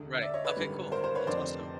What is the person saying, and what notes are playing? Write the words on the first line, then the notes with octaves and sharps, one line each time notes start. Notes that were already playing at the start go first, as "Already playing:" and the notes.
Right. Okay. Cool. That's awesome.
Already playing: E1 D2 D3
D5 E5
C#5 D#5
B4 C#5
G#1 F#2 D3 G3
A#4 C5
A#4 C5
B4 C#5
F1 F2 D3 C5 D5